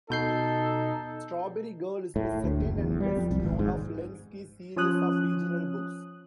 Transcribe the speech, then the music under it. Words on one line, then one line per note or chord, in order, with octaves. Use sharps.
"Strawberry Girl" is the second and best known of Lenski's series of regional books.
B2 D#4 A4 G6 C7
A2
D2
F#1
E2
G3
F2
C2
G#1
G#2
F3 C#4 D#6 F#6